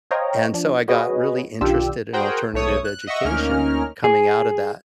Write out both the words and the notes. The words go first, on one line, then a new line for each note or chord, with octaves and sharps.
And, so I got really interested in alternative education, coming out of that.
C5 C#5 D#5 F5 G5 A#5
F3 D4
F#4 G#4 B4 C#5 D#5
B1 D#3 D4 F4 G4 E6
F#4 G#4 A#4 C5 F#5 G5
B1 A3 C#5 D#6
F#6
D#5 E5 F#5 C#6
D2 A#3 C#4 D#4 A#4 F6
G#4